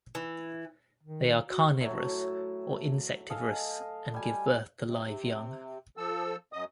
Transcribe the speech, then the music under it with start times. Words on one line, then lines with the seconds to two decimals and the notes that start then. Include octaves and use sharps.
They are carnivorous or insectivorous, and give birth to live young.
0.15 E3
1.03 D#3
1.49 F#4
1.81 A2 F#3
3.30 A4 D#5 F5 G#5
4.14 G3 G#5
4.84 C3
5.97 F3 A4 E6
6.53 F#2 D#5 D#6